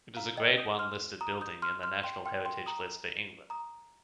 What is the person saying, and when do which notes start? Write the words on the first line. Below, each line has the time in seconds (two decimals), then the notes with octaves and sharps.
It is a Grade One listed building in the National Heritage List for England.
0.16 F5 A#5
0.37 D#5 G5
0.58 D#6 G6
0.79 C6 F6
1.21 A#5 D#6
1.41 D#6 G6
1.62 C6 F6
1.83 C6 F6
2.04 G5 C6
2.25 G5 C6
2.45 G5 C6
2.66 A#5 D#6
3.50 A#5 D#6